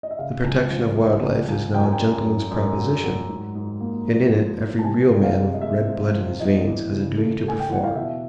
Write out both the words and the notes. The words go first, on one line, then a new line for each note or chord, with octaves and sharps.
The protection of wild life is now a gentleman's proposition, and in it every real man with red blood in his veins has a duty to perform.
D#5
E5
C#3 F5
C#2
F3
C#2
C#2
C#2
F#2 G5
G#5
G5
F#2
F#2
F#2
F#3
F#3
G#2
G#2
A#3
F3
F3
G#2
A5
C3 G#5
C3
F5
G#3
D#5
G#3 E5
C4
F3
E2 D#5
E3
C#3
A3
A3 G#5
G5
E3 F#5
F5
B2 E5